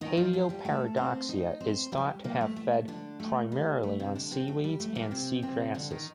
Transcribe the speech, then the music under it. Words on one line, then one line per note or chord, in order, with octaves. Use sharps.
"Paleoparadoxia" is thought to have fed primarily on seaweeds and sea grasses.
D#3 D#4
F3 F4
F3 F4
G3 G4
A3 A4
C4 C5
D#4 D#5
C4 C5
G3 G4
A#2 A#3
A3
A3
D3 D4
A3
G3
A3
C3 C4
D3 D4
C3 C4
A3
G3
A3
A#2 A#3
C3 C4
C3 C4
D3 D4
D#3 D#4